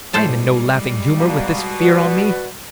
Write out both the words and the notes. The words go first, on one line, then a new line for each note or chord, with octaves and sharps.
I am in no laughing humor with this fear on me.
A2 G3 G#3 A4 C5
B2 D5 F5 A#5
F#4 B4 D5